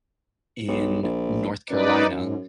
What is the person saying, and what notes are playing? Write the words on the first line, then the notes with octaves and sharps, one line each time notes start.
in North Carolina,
B1
A#1
F#2 D#4 B4 D5
G#2